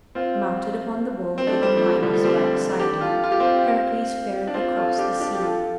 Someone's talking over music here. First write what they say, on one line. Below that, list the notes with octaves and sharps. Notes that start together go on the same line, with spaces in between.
Mounted upon the bull given Minos by Poseidon, Heracles fared across the sea.
C4 F4
C4
A3 D4
G3 C4
F3 A3
F3
D3 G3
F3 A3
G3 C4
A3 D4
D4 G4
F4 A4
F4
G4
C4 F4
D4
C4 F4
F4 A4
D4 G4
D4 G4
G4
F4 A4